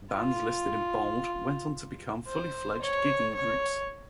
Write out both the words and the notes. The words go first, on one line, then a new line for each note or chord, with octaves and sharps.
Bands listed in bold went on to become fully fledged gigging groups.
F4
C5
C#5
C#5